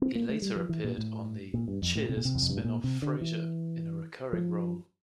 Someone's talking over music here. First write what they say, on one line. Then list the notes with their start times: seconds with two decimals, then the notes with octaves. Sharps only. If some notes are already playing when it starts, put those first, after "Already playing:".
He later appeared on the "Cheers" spin-off "Frasier" in a recurring role.
0.02 C4
0.15 A#3
0.29 A3
0.42 G3
0.56 F3
0.69 E3
0.84 A#2
0.98 A2
1.54 A#2
1.68 G2
1.82 F2
1.95 A2
2.09 C3
2.17 A#2
2.25 C3
2.35 E2
2.42 F2
2.50 G2
2.57 A2
2.65 A#2
2.84 C3
3.02 D3
3.21 E3
4.33 F3